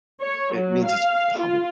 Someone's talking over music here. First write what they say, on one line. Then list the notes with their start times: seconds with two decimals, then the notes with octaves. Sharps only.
It means it's public,
0.21 C#5
0.53 F#3
0.87 F5
1.39 F4